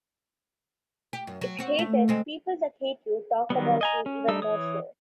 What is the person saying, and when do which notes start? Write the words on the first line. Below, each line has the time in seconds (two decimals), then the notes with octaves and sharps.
If hated, people that hate you talk about you even more so.
1.13 G4
1.27 F#2
1.41 F#3
1.59 C4 F#4
1.79 A3
2.08 D2 G#3 C4
3.50 D#3 F#3 G3 B3
3.81 D#5 G#5 A#5
4.06 C#4
4.28 G3 D4 D#4 E6
4.42 E3 C#5 D#6